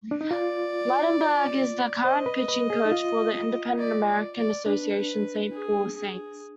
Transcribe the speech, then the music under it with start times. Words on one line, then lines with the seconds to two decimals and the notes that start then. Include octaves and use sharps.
Ligtenberg is the current pitching coach for the independent American Association's Saint Paul Saints.
0.11 D4
0.21 D#4
0.30 F4 D5
2.04 C5 D#5
2.26 B4
2.48 B4
2.70 G#4
2.85 D#4
2.92 F4
3.78 D5
4.08 D5
4.36 D5
4.66 D4 B4
5.52 G#4
5.97 G#4